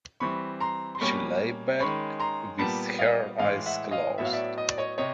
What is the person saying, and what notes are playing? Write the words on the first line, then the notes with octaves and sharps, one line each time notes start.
She lay back with her eyes closed.
E3 G3 C4 B5 C#6
A#5 C6
C6
B2 G3 A#3 C#4 B5 C#6
D#3 G#3 C#4 B5 C#6
A#5 C6
A#2 G3 B3 A5 B5
D#5 F5
A2 E3 G#3 D#5 F5
E5 F#5
D#5 F5
A2 F#3 B3 E5
F5
D5 E5
D#5
D5
C#5 D#5
C3 C#5 D#5